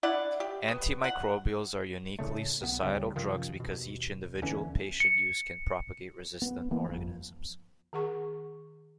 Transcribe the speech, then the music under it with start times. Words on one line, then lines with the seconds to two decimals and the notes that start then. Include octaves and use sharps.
Antimicrobials are uniquely societal drugs because each individual patient use can propagate resistant organisms.
0.03 D4 E4 D5 F#5
0.40 G4
0.68 B3
1.04 F#5
2.19 A2 C#3 A3
2.61 B1 B3
2.82 D2 C#3 G3
3.16 F#2 C3 D#3 F3
3.60 D#2 B2
4.42 D#2 D3 E3 C#4
5.00 C#7
6.42 B3
6.71 E3 A#3 B3
6.86 G1 F2
7.93 D#3 G#4 F#5 C#6